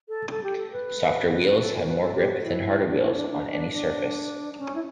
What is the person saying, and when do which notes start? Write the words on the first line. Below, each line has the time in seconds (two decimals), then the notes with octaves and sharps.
Softer wheels have more grip than harder wheels on any surface.
0.09 A4
0.30 A4
0.43 G4
0.58 A4
0.73 B4
1.59 A4
1.87 B4
2.01 A4
2.15 G4
2.30 F#4
2.44 E4
2.83 E4
2.87 D4
3.01 E4
3.16 D4
3.30 D4
3.51 D4
3.73 D4
4.59 C#4
4.75 E4